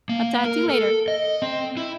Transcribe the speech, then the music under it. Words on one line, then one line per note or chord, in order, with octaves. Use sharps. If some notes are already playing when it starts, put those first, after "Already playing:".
I'll talk to you later.
A#3
A#4
A4
D#5
C4
E4